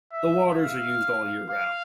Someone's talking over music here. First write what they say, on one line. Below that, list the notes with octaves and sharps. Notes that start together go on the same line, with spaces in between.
The waters are used all year round.
E5
F5
F5